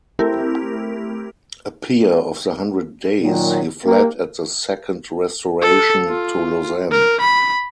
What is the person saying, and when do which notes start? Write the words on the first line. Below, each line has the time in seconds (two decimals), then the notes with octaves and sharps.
A peer of the Hundred Days, he fled at the second Restoration to Lausanne.
0.19 A3 C4 E4 G4 A#4
3.21 A#2 D#3 F#3
3.84 A#3 G4
5.61 A4
6.08 F4
6.91 A#4
7.20 B5